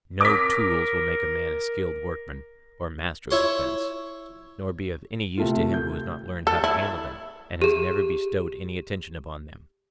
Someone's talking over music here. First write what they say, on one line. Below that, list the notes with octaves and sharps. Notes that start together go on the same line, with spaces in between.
No tools will make a man a skilled workman, or master of defence, nor be of any use to him who has not learned how to handle them, and has never bestowed any attention upon them.
A#4 D6 B6
E4 C#5 C6
C3 A3 F4
G6
A4 E6 A6
E4
G4 G#4